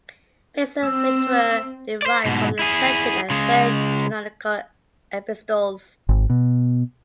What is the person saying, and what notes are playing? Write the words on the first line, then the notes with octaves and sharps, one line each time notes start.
Basil which were derived from his second and third canonical epistles.
C4 E6
C5 D5
G#2 B2
E4 G#4
C#3 G#3
G#1
B2